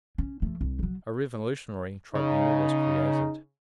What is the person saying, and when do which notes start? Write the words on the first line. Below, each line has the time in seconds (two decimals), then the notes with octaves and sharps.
A revolutionary tribunal was created.
0.18 C#4
0.42 F3 A3
0.61 C2
0.79 E3 F#3
2.15 C#3 D#4